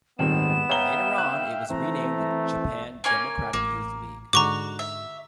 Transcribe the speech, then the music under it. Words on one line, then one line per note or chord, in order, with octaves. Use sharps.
Later on, it was renamed the Japan Democratic Youth League.
D#1 G#2 D#3 B3 C4 E7
C#5 E5 F5 G5 A#5 G7
F#6
E3 A3 C4 A#5
A#3 C#4 G#5
A1 A#3
G#2 D3 F#4 A#5 C#6 D6
E5